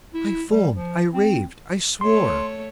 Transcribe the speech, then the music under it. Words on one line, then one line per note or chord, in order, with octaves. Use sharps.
I foamed--I raved--I swore!
E4
G3
F3
C4
A3 C#5 C6